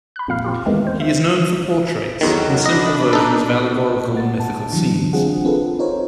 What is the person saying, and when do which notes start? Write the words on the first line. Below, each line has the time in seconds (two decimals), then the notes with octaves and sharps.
He is known for portraits and simple versions of allegorical and mythical scenes.
0.16 B5 F#6
0.28 F2 A#2 F5 F6
0.44 C4 F4 G4
0.66 E2 D#3 E3 G#3 A3 C4
0.87 C5
1.00 E5
2.21 E2 D#3 F#3 A4 A#4
2.66 D4 D#5 B5
3.13 D#4 A4
4.14 A3 F#5 A6
4.40 A5
4.73 D3 E3 F#3
5.13 C4 D4 F4 G#4 F#5
5.45 C4 F4 G#4 A4 B4
5.79 D#4 F4 A#4 C5 C#5